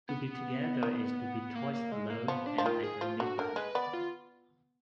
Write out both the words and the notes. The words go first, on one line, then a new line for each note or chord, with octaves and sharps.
To be together is to be twice alone and I don't need that.
B3
D#3
A#3
A#3
G#3
A#3
F3 B3
D4
F3
D#3 F4
G#4
F3 F4
D3 F#4
D3 A#4
G#3 B4
B3 D5
F4